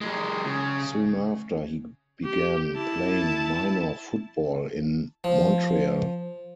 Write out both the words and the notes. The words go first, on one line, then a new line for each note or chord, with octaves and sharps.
Soon after, he began playing minor football in Montreal.
F#3 G#3
C#3
G4
E4 A5
F3